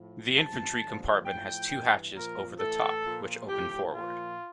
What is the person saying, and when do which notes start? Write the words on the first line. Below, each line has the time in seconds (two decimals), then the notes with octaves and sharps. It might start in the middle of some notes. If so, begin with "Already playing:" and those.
The infantry compartment has two hatches over the top, which open forwards.
Already playing: A2 F3
0.35 G2 F3 A5
0.80 G2 D3 F3
1.25 A2 F3 G5
1.69 G2 E3
2.14 A#2 F3 A#4
2.59 A2 E3 A4
3.05 A#2 F3
3.49 A2 F3 G4
3.93 A#2 F3 F4